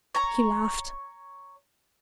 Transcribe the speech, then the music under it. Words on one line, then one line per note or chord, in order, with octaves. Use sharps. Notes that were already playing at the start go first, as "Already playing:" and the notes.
He laughed.
C#5 A#5